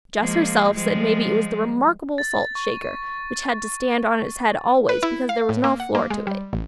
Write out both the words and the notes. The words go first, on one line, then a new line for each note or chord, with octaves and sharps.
Jess herself said maybe it was the remarkable salt shaker which had to stand on its head always, because there was no floor to it.
F3 G#3 A#3
F3 G3 G#3
A6
C#6
B4
E4
F5
A2
A#3
F#5
A#3
G#3
G3
A1